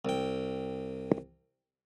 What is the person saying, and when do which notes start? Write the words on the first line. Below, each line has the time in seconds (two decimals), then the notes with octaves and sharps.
Setting out, I had three reasons for writing in the style I did.
0.05 C2 G5